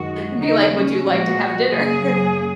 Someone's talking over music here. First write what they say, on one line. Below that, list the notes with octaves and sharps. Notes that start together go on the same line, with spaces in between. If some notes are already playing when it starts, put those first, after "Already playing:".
and be, like, "Would you like to have dinner?"
Already playing: F#2 D#3 G#3 F#4
D#2 C#3 F#3 D#4
C#4
A#2 F3 G#3 F#4
F#2 C#3 F#3 A#3 G#4